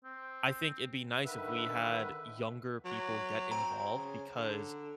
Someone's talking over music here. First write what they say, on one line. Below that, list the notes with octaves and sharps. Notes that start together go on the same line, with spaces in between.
I think it'd be nice if we had younger people get involved because
C4
D3 D#3 B4 E5
F#3
C4 A#5
C#3
D3